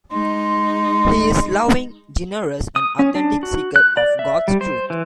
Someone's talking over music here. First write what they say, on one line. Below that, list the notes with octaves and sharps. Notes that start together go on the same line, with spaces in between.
He is a loving, generous, and authentic seeker of God's truth.
G#3 D#4 C6
D#6
C#4
D4
F#4
F#6
D5
E5
G3
C5
E3